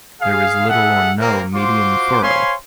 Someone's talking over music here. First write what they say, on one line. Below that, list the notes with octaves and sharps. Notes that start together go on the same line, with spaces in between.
There is little or no median furrow.
G#4 F5
G#4 A4 E5 F#5
A#3 C4 A#4
F4 F#4 C5 C6 D6
C5 C#5 F5 G#5 B5 C6